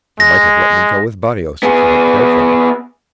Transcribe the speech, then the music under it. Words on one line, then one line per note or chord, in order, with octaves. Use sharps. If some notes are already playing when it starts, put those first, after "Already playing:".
You might have let me go with Barrios if you had cared for me.
G#3 A#6
B3 G#4